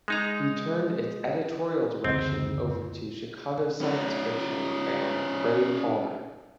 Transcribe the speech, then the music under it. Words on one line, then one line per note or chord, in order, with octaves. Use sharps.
He turned its editorial direction over to Chicago science fiction fan Ray Palmer.
G#3 D#4 A#5
F#1 D2 C4
C#4 D#4